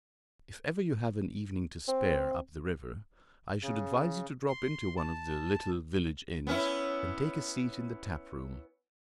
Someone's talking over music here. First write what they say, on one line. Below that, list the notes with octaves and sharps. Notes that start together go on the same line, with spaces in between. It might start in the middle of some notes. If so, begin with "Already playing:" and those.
If ever you have an evening to spare, up the river, I should advise you to drop into one of the little village inns, and take a seat in the tap-room.
C4
C#3
C6
A5
B3 C#4 E4